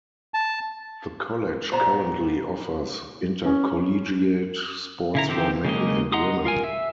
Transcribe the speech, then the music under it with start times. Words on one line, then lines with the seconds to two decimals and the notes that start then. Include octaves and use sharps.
The college currently offers intercollegiate sports for men and women.
0.34 A5
1.72 A#2 B3 C5 A#5
3.45 C#4
5.15 C#3 E4 A#5
5.28 D#3 F3 C4 G4 C5
5.65 C#3 G#3 A#3 D#5
6.12 D#5 F#5 A#5 C6 D#6
6.45 F4 A#4 G#5
6.64 E5